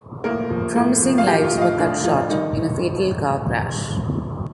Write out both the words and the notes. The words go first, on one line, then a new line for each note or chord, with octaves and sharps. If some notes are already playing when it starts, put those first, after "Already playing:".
Promising lives were cut short in a fatal car crash.
A2 A#3 A#4
F3
A2
F3
F5
F3 G4 G5
F4 F5
A2 D#5
F4 F5
A2 D4 D5
A2 F3 F4
D#3 G3 D#4